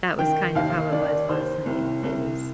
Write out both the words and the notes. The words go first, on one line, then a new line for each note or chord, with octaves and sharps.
That was kind of how it was last night is
D#3 G5
D#2 F5
D#3 D5
D#2 C5
C2
C2